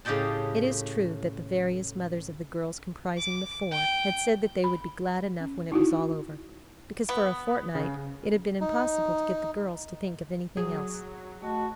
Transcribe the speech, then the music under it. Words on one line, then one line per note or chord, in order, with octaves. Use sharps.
It is true that the various mothers of the girls comprising "The Four" had said that they would be glad enough when it was all over, because for a fortnight it had been impossible to get the girls to think of anything else.
A2 C#3 G4 D#5 G5 A5
D6
G5
B5
C#4
D#4 E4 F#4
B3
C#3
D#4
F#3 G#4
A3 F#4 D#5 A5